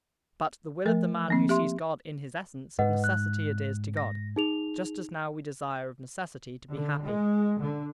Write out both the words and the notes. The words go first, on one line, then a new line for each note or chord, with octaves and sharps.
But the will of the man who sees God in His essence of necessity adheres to God, just as now we desire of necessity to be happy.
F3 A3 A#4
F3 A#3 C4
G4 E5 C6
G#2 B4 D#5 F#5
F#6
A#6
D#4 G#4 F7
D3
G#3
D3